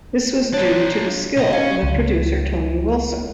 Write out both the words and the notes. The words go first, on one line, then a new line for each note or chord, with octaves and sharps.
This was due to the skill of the producer Tony Wilson.
D4 F4 C#5
C2 D#5
C#4 F5
C#2